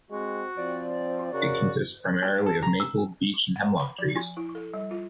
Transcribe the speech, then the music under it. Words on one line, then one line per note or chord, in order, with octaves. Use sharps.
It consists primarily of Maple, Beech and Hemlock trees.
G#3 C4 F#4
F3 C4 D5
C#3 F#4 A#4
G2
A4
A#5
E6
F#5
B5
F3
G#5
E4
A4
G3
F4